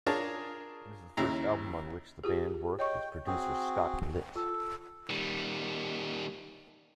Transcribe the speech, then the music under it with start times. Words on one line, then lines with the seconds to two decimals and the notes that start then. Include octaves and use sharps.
It is the first album on which the band worked with producer Scott Litt.
0.06 D4 F4 G#4 A#4 C#5 A5
1.17 D#2 C#3 E4 A#5
2.24 F4 G4 G#4
2.79 C#5 D#5 G5 C#6
3.27 C4 F#4 G#4
4.36 F4 A4
5.09 D#3 G3